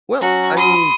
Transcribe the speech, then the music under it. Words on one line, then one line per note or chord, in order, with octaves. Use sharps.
Well, I mean,
F#3 C#4 F#4
B5 C6 D#6